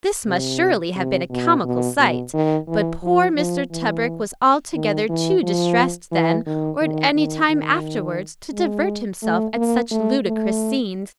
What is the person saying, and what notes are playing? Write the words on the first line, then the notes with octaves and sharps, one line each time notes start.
This must surely have been a comical sight, but poor Mr. Tebrick was altogether too distressed then or at any time afterwards to divert himself at such ludicrous scenes.
C3
C3
B2
B2
B2
D#3
E3
F3
F3
E3
D#3
E3
F3
E3
D#3
D#3
D#3
D#3
G#3
A3
A#3
A3
A3